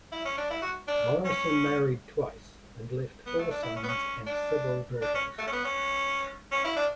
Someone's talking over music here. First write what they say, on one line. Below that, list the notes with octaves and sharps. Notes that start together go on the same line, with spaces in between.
Morison married twice, and left four sons and several daughters.
E4
C#4
D4
E4
F#4
D4
C#4
B3
A3
D4
E4
C#4
B3
C#4
D4
D4
C#4
A3
C#4
B3
C#4
C#4
E4
D4